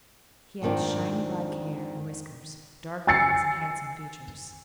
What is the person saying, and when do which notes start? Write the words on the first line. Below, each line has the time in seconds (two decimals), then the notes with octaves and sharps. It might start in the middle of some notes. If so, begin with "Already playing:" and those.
He had shiny black hair and whiskers, dark eyes and handsome features.
0.62 F2 G#2 D#3 C4 D4
3.07 G#5 E6 A6 C7 C#7